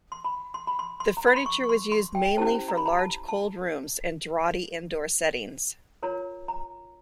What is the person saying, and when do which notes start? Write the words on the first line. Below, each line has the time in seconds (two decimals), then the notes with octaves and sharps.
The furniture was used mainly for large cold rooms and draughty indoor settings.
0.12 C6
0.25 B5
0.54 C6
0.67 B5
0.79 C6
1.00 C6
1.17 A#5
1.27 B5
1.36 C6
1.46 C#6
1.63 C#6
1.69 C6
1.92 C6
2.15 G5
2.37 C#4 E4 G4 C5 A5
2.68 A#5
2.77 B5
2.86 A#5
2.98 A5
3.28 A5
6.03 F4 A#4 C#5 A#5
6.48 A#5